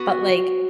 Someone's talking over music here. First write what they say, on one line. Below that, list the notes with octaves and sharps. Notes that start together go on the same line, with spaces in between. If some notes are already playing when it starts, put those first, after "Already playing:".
But like
Already playing: B3 F#4